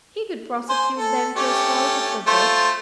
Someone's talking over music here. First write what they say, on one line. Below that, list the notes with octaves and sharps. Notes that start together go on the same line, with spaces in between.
He could prosecute them for assault if they did.
C5 G#5
A4
A3 C#4 G4
A3 F4 C5